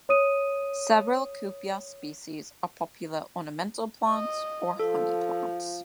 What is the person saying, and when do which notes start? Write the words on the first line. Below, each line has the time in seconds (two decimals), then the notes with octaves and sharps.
Several "Cuphea" species are popular ornamental plants or honey plants.
0.09 C#5 D#6 D#7
4.09 D#5
4.79 F3 A4